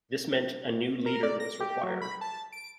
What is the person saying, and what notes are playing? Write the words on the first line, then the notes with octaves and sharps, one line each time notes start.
This meant a new leader was required.
A#4
D5
A#6
G4
F#3
B5
A5
D7